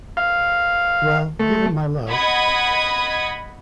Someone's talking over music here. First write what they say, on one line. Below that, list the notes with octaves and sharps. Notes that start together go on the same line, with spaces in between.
Well, give him my love.
F5
A3
D#5 F#5 B5 D#6 G#6